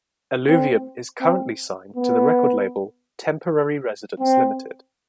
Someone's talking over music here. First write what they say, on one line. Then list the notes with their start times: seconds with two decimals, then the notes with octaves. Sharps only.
Eluvium is currently signed to the record label Temporary Residence Limited.
0.46 C4
1.21 C4
1.96 B3
4.19 C4